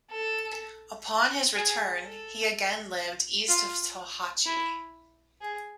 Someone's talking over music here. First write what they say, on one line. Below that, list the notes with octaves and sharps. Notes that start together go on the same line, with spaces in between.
Upon his return, he again lived east of Tohatchi.
A4
G#4
A4
F4
E4
G#4